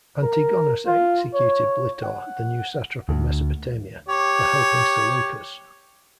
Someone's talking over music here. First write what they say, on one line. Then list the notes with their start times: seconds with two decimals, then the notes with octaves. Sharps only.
Antigonus executed Blitor, the new satrap of Mesopotamia, for helping Seleucus.
0.23 A#4
0.87 F4
1.34 C#5
2.04 F#5
3.09 D2
4.08 G4 C#5